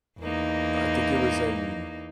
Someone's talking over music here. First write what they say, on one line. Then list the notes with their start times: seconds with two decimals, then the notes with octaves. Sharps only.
I think it was in
0.21 E2 A#3 D#4